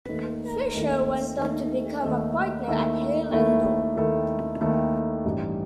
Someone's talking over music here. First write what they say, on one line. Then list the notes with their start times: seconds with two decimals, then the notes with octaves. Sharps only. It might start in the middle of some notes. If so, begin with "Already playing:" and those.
Fisher went on to become a partner at Hale and Dorr.
0.08 D#2 D#3 A3 D#4 A4
0.73 D#2 D#3 A3 D#4 A4
1.37 D#2 D#3 A3 D#4 A4
2.02 D#2 D#3 A3 D#4 A4
2.67 D#2 D#3 A3 E4 A4
3.31 D#2 D#3 A3 E4 A4
3.96 D#2 D#3 A3 E4 A4
4.61 D#2 D#3 A3 E4 A4
5.25 A1 G2 E3 G3 D#4